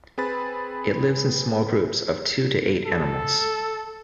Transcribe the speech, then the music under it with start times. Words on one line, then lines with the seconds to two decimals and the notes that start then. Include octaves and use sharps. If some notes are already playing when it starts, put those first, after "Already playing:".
It lives in small groups of two to eight animals.
0.18 C4 G#4 B4 B5 A6
2.86 A4